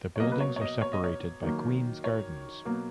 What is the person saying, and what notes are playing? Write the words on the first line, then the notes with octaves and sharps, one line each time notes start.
The buildings are separated by Queens Gardens.
C#5
B2 F#3 A#3 D#5
B4
C#5
C#5
D#5
C#5
D#5
C#5
D#3 F#3 A#3
C#5
B2 F#3 A#3